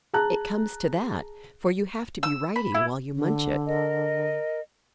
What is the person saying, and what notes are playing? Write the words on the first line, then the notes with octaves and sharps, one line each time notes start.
"It comes to that, for you have to be writing while you munch it."
G#4 A5 A#5 F#6
E6
B5
E4
D3
A#4 D#5